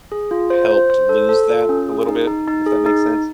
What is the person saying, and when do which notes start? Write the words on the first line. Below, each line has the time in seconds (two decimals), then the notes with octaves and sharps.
helped lose that a little bit, if that makes sense
0.12 G#4
0.31 F4
0.50 C5
0.71 C5
0.90 C5
1.09 A4
1.29 A4
1.49 F4
1.69 C#4
1.89 G#4
2.08 D#4
2.28 D#4
2.48 D#4
2.66 G#4
2.86 D#4